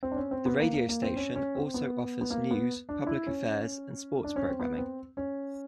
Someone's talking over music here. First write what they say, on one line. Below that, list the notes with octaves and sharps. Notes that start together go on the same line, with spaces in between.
The radio station also offers news, public affairs, and sports programming.
C4
D4
C#4
C4
B3
A#3
A#3
A#3
C4
C#4
C#4
C4
B3
B3
A#3
B3
D4
E4
C#4
D4
C#4
C4
B3
C4
C#4